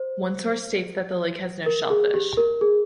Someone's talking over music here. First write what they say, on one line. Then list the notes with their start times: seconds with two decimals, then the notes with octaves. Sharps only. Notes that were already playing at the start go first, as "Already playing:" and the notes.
One source states that the lake has no shellfish.
Already playing: C5
1.66 A#4
1.90 G#4
2.14 G4
2.37 A#4
2.61 G#4